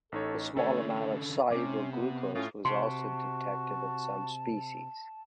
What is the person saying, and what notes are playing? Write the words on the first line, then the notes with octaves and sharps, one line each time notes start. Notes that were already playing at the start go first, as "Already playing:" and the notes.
A small amount of soluble glucose was also detected in some species.
A1 D#4 A4 C#5
D3 A3 C#4 A4 C#5
C3 C#4 D6
B3
A2 C#4 F4
C3 F#4 A5 C6